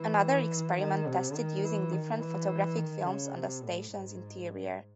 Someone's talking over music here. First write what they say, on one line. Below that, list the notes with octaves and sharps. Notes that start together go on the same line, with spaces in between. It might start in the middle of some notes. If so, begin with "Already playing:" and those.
Another experiment tested using different photographic films on the station's interior.
Already playing: E3
D#3
C3
D#3
E3
D#3
E3
D#3
C#3
C3
A2
G#2